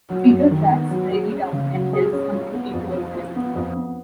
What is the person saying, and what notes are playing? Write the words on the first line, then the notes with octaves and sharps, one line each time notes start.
Peter tracks Reggie down and helps her move into a hotel.
F#3
F#2
D#3
B3
F#3
G#4
C#4
C#3
F#3
G#4
C#4
F4
B3
F2
F3
F4
B3
F2
B3